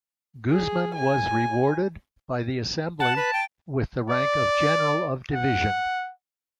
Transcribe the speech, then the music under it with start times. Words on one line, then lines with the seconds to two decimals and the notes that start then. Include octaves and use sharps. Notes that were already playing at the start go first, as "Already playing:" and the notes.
Guzman was rewarded by the Assembly with the rank of general of division.
0.51 G#4
0.95 G#5
3.00 F#5 A5
3.16 B4
3.33 G5
4.10 D5
5.33 F#5